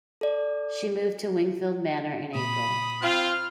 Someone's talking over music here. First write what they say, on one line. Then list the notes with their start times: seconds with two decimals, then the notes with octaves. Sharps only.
She moved to Wingfield Manor in April.
0.21 A4 D5
2.35 A#2 B5 D#6
3.02 C4 F4 F6